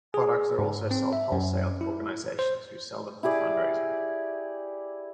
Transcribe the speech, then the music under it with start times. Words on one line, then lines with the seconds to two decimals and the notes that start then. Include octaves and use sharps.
Products are also sold wholesale to organizations who sell them for fundraising.
0.14 G#4
0.59 G#2
0.91 C4
1.13 E5
1.32 F#2
1.81 E4
2.39 C5
3.23 E4 G4 G#4 D5